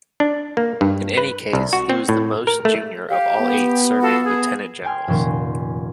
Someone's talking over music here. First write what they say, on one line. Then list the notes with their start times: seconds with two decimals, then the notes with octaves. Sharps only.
In any case, he was the most junior of all eight serving lieutenant-generals.
0.20 D4
0.57 A#3
0.81 G2
1.18 B4
1.53 C2
1.73 F#4
1.89 C4
2.09 A2
2.47 A#4
2.65 A3
3.09 G4 F5
3.38 B3
4.01 F4 F#4 A4
4.24 G#4
4.84 G5 G#5 C6 F6
5.08 F1 A#2 D#3 C#4 C6 E7